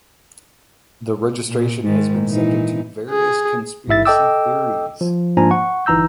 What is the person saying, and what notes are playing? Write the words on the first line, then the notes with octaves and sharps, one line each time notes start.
The registration has been subject to various conspiracy theories.
A#2
G#2 D#3
A#2 E3 D#4
G#4
A1 G#2 E4 E5 A6
A4 D#5 G5 D6 E6
F3
G#2 F3 A#3 D4 G#5 A#5
F#5 C#6
G1 E3 D#4 A#5 E6 G6